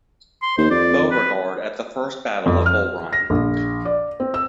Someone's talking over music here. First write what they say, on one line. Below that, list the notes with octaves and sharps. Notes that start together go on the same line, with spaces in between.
Beauregard at the First Battle of Bull Run.
C6
D#2 C5
F2 D5
B4
F2
F6
A#6
A#1
D5
C4
E6